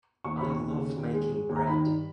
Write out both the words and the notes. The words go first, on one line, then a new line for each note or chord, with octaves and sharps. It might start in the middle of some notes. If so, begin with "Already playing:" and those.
I love making bread.
D#2 C#6
D#2 B5
C#6
D#2
C#3
D#2
G#3
G#3
D#2
A#5
D#3 B5
G2